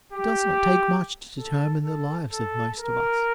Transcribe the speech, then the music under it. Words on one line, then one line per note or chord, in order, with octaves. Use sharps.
It does not take much to determine the lives of most of us.
G4
A4
A4
A4
A#4